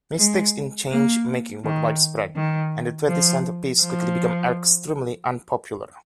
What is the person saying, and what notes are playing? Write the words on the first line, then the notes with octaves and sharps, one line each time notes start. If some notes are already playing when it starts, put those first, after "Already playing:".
Mistakes in change-making were widespread, and the twenty-cent piece quickly became extremely unpopular.
G#3
A#3
D#3
D#3
F3
F3